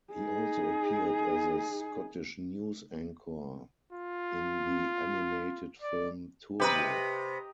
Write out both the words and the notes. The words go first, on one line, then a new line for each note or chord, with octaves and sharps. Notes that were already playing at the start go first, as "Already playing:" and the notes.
He also appeared as a Scottish news anchor in the animated film "Turbo".
D#4 G#4
F4
D5
C3 G4 B4 D#5 A#5